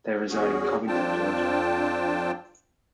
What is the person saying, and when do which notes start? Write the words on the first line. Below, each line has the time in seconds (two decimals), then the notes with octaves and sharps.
They reside in Covington, Georgia.
0.31 E2 C#4 F#4 G#4
0.87 F2 C4 D4 F4 G5 A5